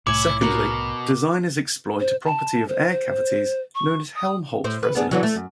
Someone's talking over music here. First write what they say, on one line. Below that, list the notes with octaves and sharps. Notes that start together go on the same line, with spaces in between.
Secondly, designers exploit a property of air cavities known as Helmholtz resonance.
C2 A2 A3 E4 C#5 G#5 D6
B2 F#4 A#4 F#5
C5
A5
C5
C5
C#6
D#6
A2 C5
B4
B3 D4 G#4
D3 E3 F#3
A3
F#2